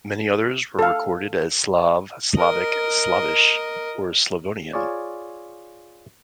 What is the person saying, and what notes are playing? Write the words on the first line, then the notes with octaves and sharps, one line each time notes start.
Many others were recorded as Slav, Slavic, Slavish, or Slavonian.
A4 F5
A#4 D#5
F4 G#4 C#5 D5